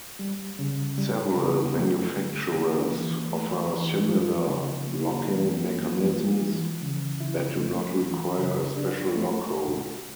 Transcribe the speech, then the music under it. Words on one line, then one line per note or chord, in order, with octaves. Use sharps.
Several manufacturers offer similar locking mechanisms that do not require a special lock hole.
G3
C#3
G3
C#3
A3
D3
A#3
E3
A3
E3
F3
C#3
A#3
E3
A#3
F3
E3
C#3
E4
A3
E3
C#3
D4
A3